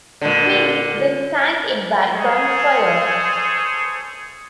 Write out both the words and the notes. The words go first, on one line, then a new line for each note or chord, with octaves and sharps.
"Gwin" then sank it by gunfire.
A#2 D3
G#4 A4 C5 C#5